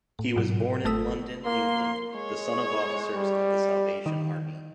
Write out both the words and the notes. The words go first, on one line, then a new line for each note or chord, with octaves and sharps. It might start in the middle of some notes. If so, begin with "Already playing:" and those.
He was born in London, England, the son of officers of The Salvation Army.
A2
G#2 B2 F#3 F#4
G1 A3 A4 D#6 E6 B6
A#3 C6
G#3 C#5
G3
D#3